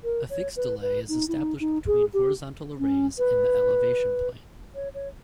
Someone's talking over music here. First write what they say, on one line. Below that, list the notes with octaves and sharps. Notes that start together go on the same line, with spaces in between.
A fixed delay is established between horizontal arrays in the elevation plane.
A#4
C#5
B4
B4
D#4
E4
D#4
D#4
G#4
G4
C#4
B4
C#5
C#5